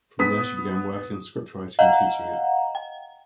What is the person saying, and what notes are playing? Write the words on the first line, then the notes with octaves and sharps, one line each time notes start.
From there she began working on scriptwriting and teaching it.
B3 D#6 B6
D#5 F5 F#5 A#5
G5